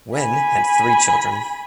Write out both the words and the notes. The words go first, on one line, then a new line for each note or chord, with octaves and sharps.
Wen had three children.
G#5 B5